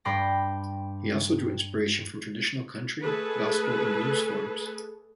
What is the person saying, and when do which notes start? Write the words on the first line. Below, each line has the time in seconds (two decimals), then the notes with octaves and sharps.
He also drew inspiration from traditional country, gospel, and blues forms.
0.05 G2 G5 B5 C6 D6 A#6
3.03 A3 G#4 A4 B4